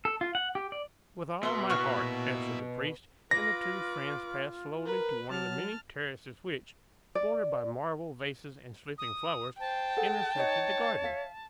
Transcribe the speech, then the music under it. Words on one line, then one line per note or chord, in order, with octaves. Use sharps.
'With all my heart,' answered the priest; and the two friends passed slowly to one of the many terraces which, bordered by marble vases and sleeping flowers, intersected the garden.
A4
F4
F#5
G4
D5
B2 E5 C6
A#2 B3 E4 F#4 C#6 F6
F4 B4 D6 A#6
A#4 B4
F#3 A5 F6
D5
D#6
C5 G5 A5
G#4 A4 F#5
D#4 C#5 D#5
E5 F5